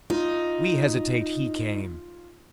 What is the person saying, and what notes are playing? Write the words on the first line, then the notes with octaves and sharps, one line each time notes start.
We hesitated, he came!
D#4 F4